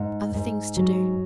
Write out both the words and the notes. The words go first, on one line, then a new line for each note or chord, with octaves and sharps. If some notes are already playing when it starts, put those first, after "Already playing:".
'Other things to do.'
Already playing: G#2
G#2
F#3